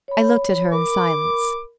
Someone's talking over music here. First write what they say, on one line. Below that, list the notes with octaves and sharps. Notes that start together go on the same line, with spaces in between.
I looked at her in silence.
C#5 B5
A#4 B5 D6